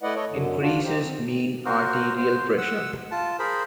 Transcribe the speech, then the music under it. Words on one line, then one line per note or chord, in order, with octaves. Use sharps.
Increases mean arterial pressure.
A3 E4 B4 D5 D#5 F#5
A4 C#5 D#5
F#2 D3
D4 F4 F#4
D#4 G4 C5
C4
F#4 A#4 C5
C5
F#5 E6
F4 A5
G#4 A#4 C5 B5